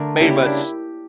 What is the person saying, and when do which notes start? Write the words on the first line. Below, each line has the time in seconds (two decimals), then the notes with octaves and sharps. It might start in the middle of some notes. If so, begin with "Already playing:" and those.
pretty much
Already playing: D3 A3 A#4 D5
0.21 C#3 G3 A#3 E4 G4
0.46 D4